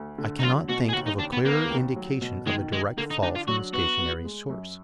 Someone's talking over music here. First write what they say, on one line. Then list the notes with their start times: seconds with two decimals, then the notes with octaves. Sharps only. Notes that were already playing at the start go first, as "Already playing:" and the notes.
I cannot think of a clearer indication of a direct fall from a stationary source.
Already playing: D2
0.18 D3
0.40 D#4
0.43 F#3 F4
0.69 B2 F#4
0.90 G#4
0.94 D#2 F#4
1.07 D#4
1.20 D#2 D4
1.33 B3
1.45 A#3 B3
1.70 D#2
1.96 F#3
2.22 B2
2.47 D#3 G#3
2.72 D#3 G#3
2.98 D3 A#3
3.11 D#4
3.23 D4 D#4
3.35 F4
3.48 F#3 F#4
3.73 B3 F#4
3.99 B3
4.24 G#3
4.50 F#2